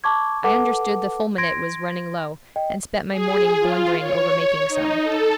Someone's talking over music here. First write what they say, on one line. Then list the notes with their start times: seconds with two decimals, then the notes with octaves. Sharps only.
I understood the fulminate was running low, and spent my morning blundering over making some.
0.04 A5 C#6 D6 G#6
0.44 A4 B4 F#5 A5 D6
1.38 C6 G#6 A#6 D7
2.56 D#5 G5
3.11 G#4
3.59 F4
4.00 C#5
4.69 D#4
5.03 A4